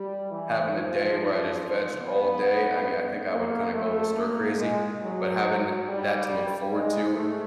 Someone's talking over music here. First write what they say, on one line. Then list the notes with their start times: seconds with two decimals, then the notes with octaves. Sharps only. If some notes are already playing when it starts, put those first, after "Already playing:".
having a day where I just vegged all day, I mean, I think I would kinda go a little stir crazy, but having that to look forward to,
Already playing: G3
0.31 E3
0.73 F3
2.02 B3
3.30 A#3
3.72 A3
4.15 A#3
4.58 G#3
5.01 F#3
5.86 G3
6.72 G#3
7.14 A3